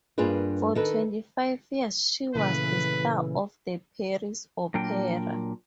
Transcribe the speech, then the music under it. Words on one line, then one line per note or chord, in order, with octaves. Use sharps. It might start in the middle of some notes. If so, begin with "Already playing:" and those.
For twenty-five years she was the star of the Paris Opera.
G2 A#3 D4 F4 G#4 B4
D#3 A4 B4
A#2 C#3 E3 A3 B4
A#2 F#3 D4 A#4 G5